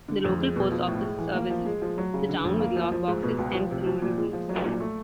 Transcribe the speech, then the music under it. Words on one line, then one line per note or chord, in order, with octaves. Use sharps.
The local post office services the town with lock boxes and rural routes.
D3
F2
G#3
B2
F3
A2
G#3
E3
A#3
F3
G#3
F3
F#3
C#3
D3
F2
A#3
F3
F3
G#2
B2
C#2
F3
C3
F3
A#2
G#3
F3
F#3
A#2
A3